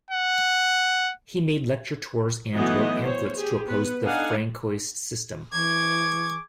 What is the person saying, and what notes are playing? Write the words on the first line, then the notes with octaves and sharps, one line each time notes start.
He made lecture tours and wrote pamphlets to oppose the Francoist system.
F#5
E3 F#3 A3 B3 D#4 D#5
C5 C#5
G4 G#4
B3 B4
D4 D#4 A4 F5 F#5 G#5
E3 G#4 C#6 D6 G#6